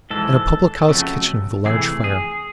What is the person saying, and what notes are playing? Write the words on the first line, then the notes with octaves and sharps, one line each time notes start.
In a public-house kitchen with a large fire.
G#2 E3 G#3 A4
F2 C#3 F#3 A3
C3 E3 A3 G#4
G#4